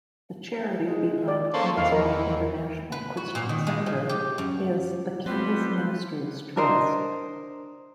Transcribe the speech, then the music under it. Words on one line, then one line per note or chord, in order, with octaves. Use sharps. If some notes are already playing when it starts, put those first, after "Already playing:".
The charity behind Kingsway International Christian Centre is "The King's Ministries Trust".
G#3
D5
A#3 C#4 A4 C5
E2 D#3 F5
A#4
B4
F#4
A#2
D#3
G#3
F3
G4
F#2
F#3 G3 B3 C4 E4 F4 B4 C6
D4 A#4 C5 D#5